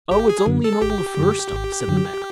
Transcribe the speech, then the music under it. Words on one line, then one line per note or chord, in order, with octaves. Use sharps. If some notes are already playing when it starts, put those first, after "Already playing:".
'Oh, it's only an old fir-stump', said the man.
G#1 G4
G#4
F#2 D3 F#3
A4
G#1 G4
F#2 D3 F#3
G#1
F#2 D3 F#3